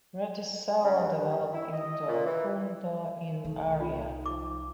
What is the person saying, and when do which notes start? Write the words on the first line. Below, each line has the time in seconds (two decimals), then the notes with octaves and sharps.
Reticella developed into Punto in Aria.
0.83 C#3
0.99 G2
1.52 E4
1.72 D#5
2.07 A#2
2.26 E3
3.45 C2 A3 D#4
3.80 F4
4.26 F3 D6